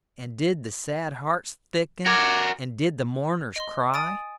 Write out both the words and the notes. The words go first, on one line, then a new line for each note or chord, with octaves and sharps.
And did the sad hearts thicken, And did the mourners cry?
F#4 A#4 D6 G#6
D#5 C6
G#5 D#6 A6 D7